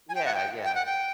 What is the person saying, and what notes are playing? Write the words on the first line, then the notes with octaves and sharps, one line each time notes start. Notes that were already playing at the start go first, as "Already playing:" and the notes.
Yeah, yeah.
G#5
G5
F#5
G5
G5
F#5
G5